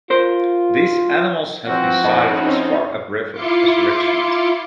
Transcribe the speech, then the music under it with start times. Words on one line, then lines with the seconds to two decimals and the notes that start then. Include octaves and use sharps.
These animals have been sighted as far upriver as Richmond.
0.10 F4 A#4 C5
1.67 E3 F3 C4 F#4
2.04 F2 C4 C#4 D#4 E4 C5 D#5
3.32 E4 F4 C6 D6 C#7